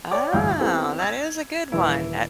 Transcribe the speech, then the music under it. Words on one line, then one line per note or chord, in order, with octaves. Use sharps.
Oh, that is a good one, that
C#5 D5 G5 D6
A1 D2 G2 E4 F5 G6
B3 C4 E4 G4 A4
E6 G#6
D#1 E3 E4